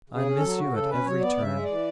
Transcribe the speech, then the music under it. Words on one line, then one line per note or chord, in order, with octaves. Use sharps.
'I miss you at every turn.
C#3
G#4
C#4
A4
F#3
C#3 F#4
C#3 A4
C#4 B4
F#3 C#5
B3 D5
C#3 E5
G#3
E3 D5